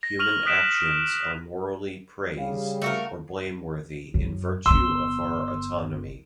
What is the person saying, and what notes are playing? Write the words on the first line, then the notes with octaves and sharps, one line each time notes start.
Human actions are morally praise or blameworthy in virtue of our autonomy.
A#6
C#6 F6 D#7 F7 F#7
D#6 F#6 B6 D7 E7
C#3 G3 F5
A3 F#4 A#4
F#2
G1 B3 C6 E6